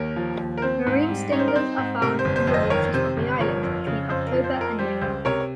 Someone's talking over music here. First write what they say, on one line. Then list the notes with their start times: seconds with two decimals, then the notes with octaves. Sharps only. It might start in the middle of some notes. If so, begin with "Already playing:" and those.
Marine stingers are found in the waters of the islands between October and May.
Already playing: D#2 A#4 C#5
0.16 F3
0.40 D#2
0.57 A#4
0.62 C4 C5
0.87 G#2
1.09 G3
1.32 D#4 C#5
1.39 C5
1.48 A#4
1.56 C4 C5
1.78 G#2
2.01 C3 A#4
2.19 C5
2.25 G1
2.36 C5
2.47 F2
2.54 C5 D#5
2.70 D#3 A#4 C#5
2.94 C3 C5
3.17 G1
3.40 F3 A#4 C#5
3.63 F2
3.87 C#3
4.09 F2 C5
4.27 A#4
4.33 F3
4.44 C5
4.56 F2
4.61 A#4
4.79 G3 C5
5.01 C#2 C5
5.25 C3 A#4 C#5